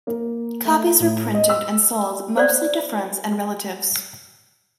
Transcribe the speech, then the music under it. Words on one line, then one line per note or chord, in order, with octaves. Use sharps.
Copies were printed and sold mostly to friends and relatives.
A#3
A3
A2
D#5
E6
C5 D5